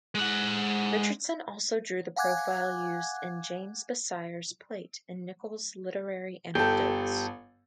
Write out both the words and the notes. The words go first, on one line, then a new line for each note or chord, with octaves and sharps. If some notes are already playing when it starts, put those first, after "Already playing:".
Richardson also drew the profile used in James Basire's plate in Nichols's Literary Anecdotes.
G#3 F#5
F5 F#5 G#5 D6 F#6 G#6
G1 G4 A4 G5